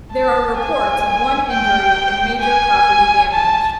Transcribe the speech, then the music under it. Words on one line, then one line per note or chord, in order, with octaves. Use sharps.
There are reports of one injury and major property damage.
A5
G#5
G5
G#5
A5